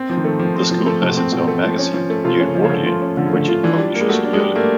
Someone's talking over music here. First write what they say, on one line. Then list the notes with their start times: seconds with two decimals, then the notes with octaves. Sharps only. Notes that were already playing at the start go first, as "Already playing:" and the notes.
The school has its own magazine, "The Edwardian", which it publishes yearly.
Already playing: C4
0.10 F3
0.17 D#3
0.24 A3
0.39 F3
0.55 C4
0.71 F3
0.86 A3
1.02 C3 F3
1.09 B2
1.17 C4
1.32 B2 F3
1.47 A3
1.63 F3
1.78 C#4
1.94 F3
2.10 A3
2.24 C3 F4
2.40 C#4
2.48 C#3
2.55 F3
2.64 C#3
2.70 D3 A3
2.86 F4
3.02 C#4
3.17 D3 F3
3.26 C#3
3.33 D3 A3
3.48 F4
3.63 E3 D4
3.78 G3
3.94 A#3
4.01 G#3
4.09 A3 F#4
4.24 D4
4.33 G#3
4.40 G3
4.55 A3 A#3